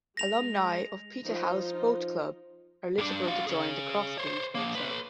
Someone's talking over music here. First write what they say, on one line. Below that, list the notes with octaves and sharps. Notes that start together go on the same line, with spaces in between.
Alumni of Peterhouse Boat Club are eligible to join the Cross Keys Boat Club.
G#3 A#6 F7
F3 D#4 F4
G2 D4
F#4 F5
G#4 C#5
C5 C#5
F3 A#3
B4 C#5